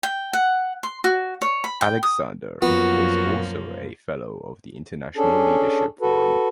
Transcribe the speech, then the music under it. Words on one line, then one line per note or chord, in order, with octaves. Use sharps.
Alexander is also a fellow of the International Leadership Forum.
G5
F#5
C6
F#4
C#5
B5
G5
D#6
F#2 F3 A#3 B3 F4 F#4
C#4 D4 G#4 A4
F#4 A4 B4